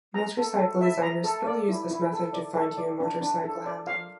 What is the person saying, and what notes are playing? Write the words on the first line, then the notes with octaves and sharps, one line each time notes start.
Motorcycle designers still use this method to fine-tune motorcycle handling.
A#5
A4
A4
E5
A#5
A4
D5
E4
E4
A4
D5
A4
D5
D4
D4
A4
D5
F5